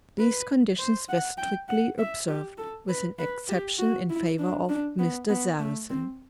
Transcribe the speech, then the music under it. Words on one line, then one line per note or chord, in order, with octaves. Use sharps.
These conditions were strictly observed--with an exception in favor of Mr. Sarrazin.
B4
C5
F#5
G5
F#5
E5
G4
A4
B4
B4
G4
F#4
E4
D4
D4
B3
B3
A3
C4